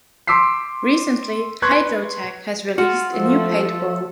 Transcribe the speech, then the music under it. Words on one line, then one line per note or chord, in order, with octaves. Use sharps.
Recently, HydroTec has released a new paintball.
C6 D6 E6 B6 C7
B4 C6 C#6 F#6 G#6
F4 F#4
F3 A3 A4